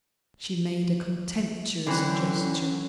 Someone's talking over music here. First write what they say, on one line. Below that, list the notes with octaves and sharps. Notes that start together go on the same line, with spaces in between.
She made a contemptuous gesture.
D3 E3 F#3 C4 C#4